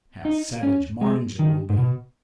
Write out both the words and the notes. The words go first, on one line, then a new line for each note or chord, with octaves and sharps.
How savage Morringer will be!
D#4
C#4
G#3
D#3
G#2
B2